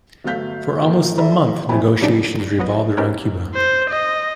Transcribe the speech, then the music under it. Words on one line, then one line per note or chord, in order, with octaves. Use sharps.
For almost a month, negotiations revolved around Cuba.
G1 F#3 A3 F5 G6 B6
A2 E3 F3 A3 A#3
A4 D5 E5 A#5 B5
D#1 F2 C4 E4 G#5 B5
C#3 F#3 G3 D4 D#4
A#1 F#3 B3 D#5
C#4 G4 A#4 B4 C#5
C5
D#5